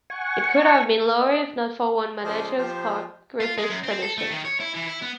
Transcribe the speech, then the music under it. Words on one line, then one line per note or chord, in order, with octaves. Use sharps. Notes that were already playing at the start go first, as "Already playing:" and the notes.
It could have been lower if not for one of manager Clark Griffith's traditions.
F#5 G#5 C#6
D#5
C#3 F3 G#3 C5 D5 D#5
F3 G4 C5
F4
G#3
F#2
C4
A4
A3
D#3
C#5
E4
E3
E4
B3